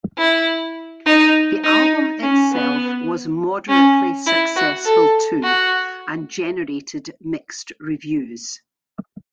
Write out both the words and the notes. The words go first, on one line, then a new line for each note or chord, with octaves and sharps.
The album itself was moderately successful too and generated mixed reviews.
E4
D#4
D#4
C#4
B3
C#4
E4
F#4
A4
F#4